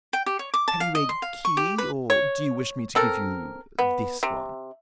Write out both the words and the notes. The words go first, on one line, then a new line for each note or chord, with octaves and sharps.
"Have you a key, or do you wish me to give you this one."
G5
G4
C#5
D6
A5
F5
D#5
C6
F5
C#6
G4
B4
C#5
C4 A4 A#4
B3
C3